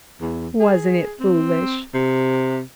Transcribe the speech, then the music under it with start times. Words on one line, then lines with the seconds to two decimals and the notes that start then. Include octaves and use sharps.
Wasn't it foolish?
0.21 E2
0.60 G#4
1.20 C4
1.94 C3